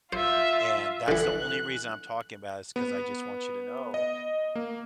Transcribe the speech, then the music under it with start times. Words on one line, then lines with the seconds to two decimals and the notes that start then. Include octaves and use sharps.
and that's the only reason I'm talking about it is 'cause I, just, want you to know
0.13 F4 C5 E5
1.08 D3 E3 F#6
2.76 B3
3.94 D#5
4.55 A#3